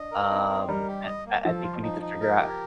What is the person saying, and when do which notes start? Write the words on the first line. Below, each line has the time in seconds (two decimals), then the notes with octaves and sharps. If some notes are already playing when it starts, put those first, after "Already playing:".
um, and I I think we need to figure out
Already playing: D4 D#5
0.12 A#4
0.30 C4 D#4
0.49 C4
0.68 G3 A#4
0.87 G4
1.06 D#5
1.26 A#3
1.45 F3 A4
1.63 F4
1.83 D#4
2.01 D#4
2.21 A#4
2.40 G4